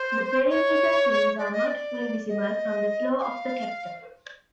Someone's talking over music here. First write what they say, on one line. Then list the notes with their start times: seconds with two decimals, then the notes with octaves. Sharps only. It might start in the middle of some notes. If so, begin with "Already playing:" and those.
The perimeter scenes are not fully visible from the floor of the Capitol.
Already playing: C5
0.49 C#5
1.38 D5
1.52 D#5
1.66 D5
2.28 D#5
3.18 G#5
3.22 F5